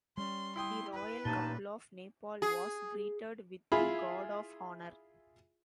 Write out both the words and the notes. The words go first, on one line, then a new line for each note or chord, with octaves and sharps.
The royal couple of Nepal was greeted with the 'guard of honor'.
G3 C#4 C6
E4 G5 C6 D#6
B4
A1 G2 A#2 D#4 A5 D#7 G7
G#4
E4 F4 G#4 E5 B5